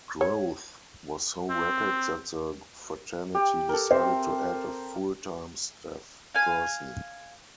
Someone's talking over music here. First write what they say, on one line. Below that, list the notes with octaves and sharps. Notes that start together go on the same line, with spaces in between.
Growth was so rapid that the fraternity decided to add a full-time staff person.
C#5
C4
G4
A4 A#4
C4 C5 E5
F5 G#5